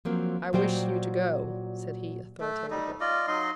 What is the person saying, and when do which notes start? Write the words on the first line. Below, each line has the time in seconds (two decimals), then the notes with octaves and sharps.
I wish you to go,' said he, authoritatively.
0.05 F3 F#3 A#3 C4
0.53 A#2 F#3 G3 C5 G5
2.40 A3
2.71 G3 D#4
3.01 F4 D5 D#5
3.28 F#3 D#4 D#5 C6